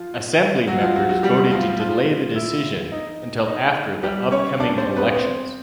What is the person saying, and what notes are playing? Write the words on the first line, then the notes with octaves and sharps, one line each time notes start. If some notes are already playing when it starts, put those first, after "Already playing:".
Assembly members voted to delay the decision until after the upcoming elections.
Already playing: F3 F4
F#3 F#4
F3 F4
F#3 F#4
F#3 F#4
G3 G4
F3 F4
F3 F4
E4
D#4
D#4
G3 G4
C#4 C#5
D4 D5
C4 C5
B3 B4
C4 C5